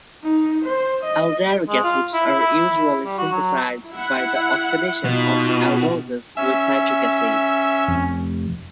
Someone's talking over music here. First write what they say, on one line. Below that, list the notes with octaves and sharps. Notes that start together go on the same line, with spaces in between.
Aldaric acids are usually synthesized by the oxidation of aldoses with nitric acid.
D#4
C5
D#5
G#3
F4
E4
E4
E4
E4
G3
F#4
F#3
E4 F#5
B2 D#4 F4
C#4 E5
F1